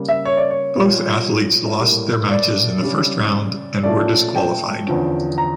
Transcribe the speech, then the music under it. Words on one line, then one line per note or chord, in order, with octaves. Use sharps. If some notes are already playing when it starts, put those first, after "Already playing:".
Both athletes lost their matches in the first round and were disqualified.
Already playing: C#3 G3 A#3
E5
C#5
D5
C#5
A#2 G3 A#3
A2 G3 A#3
D5
C#3 G3 C#4
A#2 F3 A3 C#4 D5
G5
E2 D3 F3 C#4
A#5